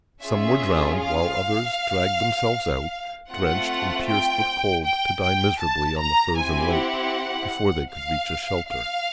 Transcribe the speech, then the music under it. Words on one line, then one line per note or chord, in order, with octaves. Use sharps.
Some were drowned; while others dragged themselves out, drenched and pierced with cold, to die miserably on the frozen lake, before they could reach a shelter.
C#4 F4 G#4 E5
F5
A3 C4 F4 F#5
G5
G5
G5
A5
A#5
C4 E4 G4 G#5
F#5
F5
F5